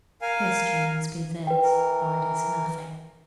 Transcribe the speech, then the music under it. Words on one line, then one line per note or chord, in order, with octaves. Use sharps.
History must be this or it is nothing.
A#4 F5 G#5
B4 G5
E3 A#4